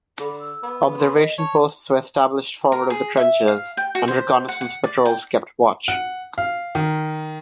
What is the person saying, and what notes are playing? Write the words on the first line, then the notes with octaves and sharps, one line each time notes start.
Observation posts were established forward of the trenches and reconnaissance patrols kept watch.
D3 B5
E6
B3
C6
D#5
C#5 A5
A#4
G#4
E5
F5
G5
F#4
C5
F#5
F#5
D5
G5
F#5
F5
D#3